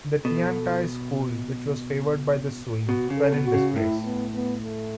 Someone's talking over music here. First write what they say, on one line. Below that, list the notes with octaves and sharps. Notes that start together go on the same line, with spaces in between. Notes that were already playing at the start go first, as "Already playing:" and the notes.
The Tiantai school, which was favoured by the Sui, fell in disgrace.
B2 A4
B2 F#4
C#3
A4
B2
F#4
C#3
A2 E4
B3
B3
A3